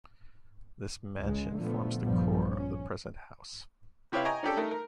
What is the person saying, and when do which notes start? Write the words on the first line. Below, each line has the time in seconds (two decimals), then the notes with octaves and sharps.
This mansion forms the core of the present house.
1.15 C#2 C#3 G#3
1.56 A#2 D3 F3 A3 B3
2.02 A#1 G2 F3 G3 B3
2.52 C#4
4.12 C3 E4 G4 B4 C#5 F5
4.25 D#5 G5 G#5 A#5 C#6
4.43 C#4 D4 G4 A4
4.57 A3 D#4 A#4
4.71 A#4